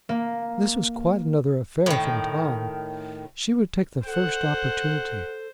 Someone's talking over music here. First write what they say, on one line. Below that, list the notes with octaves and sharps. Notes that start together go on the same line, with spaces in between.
This was quite another affair from Tom! She would take the first opportunity.
A#3
A2 D#3
A4 C5 F#5